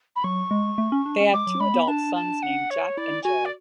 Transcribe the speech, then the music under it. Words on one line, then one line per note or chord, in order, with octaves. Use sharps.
They have two adult sons named Jack and Joe.
B5
F#3 C#6
G#3
A3
C#4
D4
C#4
G#3 D6
F#3
G#3 B5
B3
D4 A5
A5
F#5
C#5
E4 D5
F#4 G#5
D5